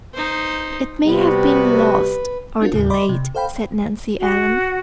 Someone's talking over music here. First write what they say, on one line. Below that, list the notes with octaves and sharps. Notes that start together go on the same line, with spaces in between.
"It may have been lost or delayed," said Nancy Ellen.
D#4 C5
C3 G3 B3 F#4 B4
C4 D4 F4 F#4 A#4
D#2 A2 C#3
D5 D#5 B5 C6 D6
C3
A4 C5 F5 G5 B5
F#4